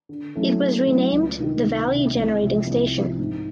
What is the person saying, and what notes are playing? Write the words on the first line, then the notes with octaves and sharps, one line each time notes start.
It was renamed the Valley Generating Station.
D3
F#3 A3 C#4 E4
D3
F#3 A3 C#4 E4
C#2
C3 D#3
C#2
C3 D#3
C2
C3 F3
C2
C3 F3
G#2